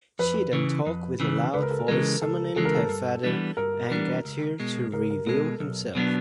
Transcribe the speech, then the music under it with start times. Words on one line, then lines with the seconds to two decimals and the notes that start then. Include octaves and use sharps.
She then talked with a loud voice summoning her father Angantyr to reveal himself.
0.19 F2 B4
0.53 C#3 E3
0.86 F2
1.20 C#3 E3
1.54 C#2 B4
1.63 A#4
1.71 A4
1.79 A#4
1.88 C#3 E3 G#3 A4
2.22 C#2 A4
2.56 C#3 E3 G#3 A4
2.65 A#4
2.75 A4
2.89 G2
3.23 E3 G3 B3 D4
3.57 G2 A#4
3.90 E3 G3 B3 D4
4.25 C#2
4.60 B2 G#3
4.92 C#2 A#4
5.10 A#4
5.27 B2 G#3 A4
5.60 B1
5.95 B2 F#3 B3 D4